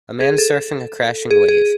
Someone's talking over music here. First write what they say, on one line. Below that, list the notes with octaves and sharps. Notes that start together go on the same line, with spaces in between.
A man surfing a crashing wave.
G#4
A4
G#4
G#4